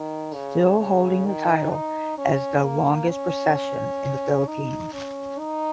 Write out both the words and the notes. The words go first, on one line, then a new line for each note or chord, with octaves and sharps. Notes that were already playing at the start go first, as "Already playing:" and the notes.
Still, holding the title as the longest procession in the Philippines.
Already playing: D#3
C#3
C#3
D#3
D#4
C#4
A#3
C#4
D#4
C#4
D#4